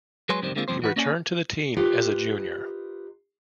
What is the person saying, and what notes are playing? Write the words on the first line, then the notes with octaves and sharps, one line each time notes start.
He returned to the team as a junior.
F#3 G#3 B4 C#5 G#5 C6
C#2 F#2 C3 D#3 G3 C5
D3 G#3 A#3 C4 D#4 F4
D2 G2 F3 C4 C5
E3 F#4 B4
A#3 C#4 D5 D#5 G#5
F4 G4 A#4 B4 D#5